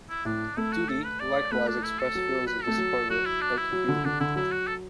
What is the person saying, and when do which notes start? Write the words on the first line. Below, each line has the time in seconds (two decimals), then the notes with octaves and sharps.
"Duty" likewise expressed feelings of disappointment and confusion.
0.10 E4
0.25 A2 D4
0.57 A3 E4
0.72 F#4
0.89 A4
1.04 B4
1.20 D5
1.52 A3 B4
1.67 D4
1.83 E4
1.99 A4
2.15 F#3
2.47 B4
2.62 A3 A4
2.78 F#3
3.10 F#3 F#4
3.26 E4
3.41 D4
3.57 E4
3.73 F#3
3.88 D3
4.04 D3 D4
4.20 D3 E4
4.36 F#3 E4
4.52 F#4
4.67 A4